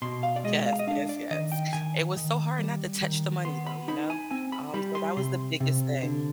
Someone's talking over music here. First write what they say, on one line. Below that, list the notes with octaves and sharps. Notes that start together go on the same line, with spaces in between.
yes, yes, yes. It was so hard not to touch the money though, you know? Um, so that was the biggest thing.
B2 C6
F5
D5
G#3 D#5
F5
D#5
D4 F5
D5
D#3 D#5
G5
D#3 G#5
D#3
G3
D#3
B3 C6
B5
D#4 B5
G#5
C4 G#5
B5
G3 B5
C6
C3 C6
C3
D3